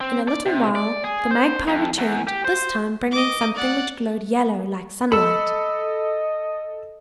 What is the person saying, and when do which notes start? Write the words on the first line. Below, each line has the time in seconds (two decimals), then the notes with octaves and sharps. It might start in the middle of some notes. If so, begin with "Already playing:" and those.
In a little while the Magpie returned, this time bringing something which glowed yellow like sunlight.
0.01 C4
0.28 D5
0.46 C3
0.75 D5
1.04 G#4
1.31 C5
1.68 F2
1.98 E2
2.27 G4
2.45 C5
3.11 D#5 D6
3.55 D5 F#5
5.12 A4 D#5 B5 E6